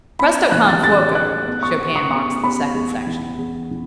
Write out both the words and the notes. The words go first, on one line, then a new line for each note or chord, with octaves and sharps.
Presto con fuoco Chopin marks the second section.
B3 B5
E3 F#6
A6
A2 A6
A2 F#6
B3
C#6
B3
C#6
B3 C#6
B3 B5
E2
E3
E2
E3